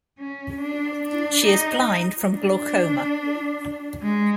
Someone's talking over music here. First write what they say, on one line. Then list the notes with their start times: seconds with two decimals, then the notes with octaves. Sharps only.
She is blind from glaucoma.
0.18 C#4
0.61 D4
1.04 D4
1.46 D#4
2.32 D4
4.02 G#3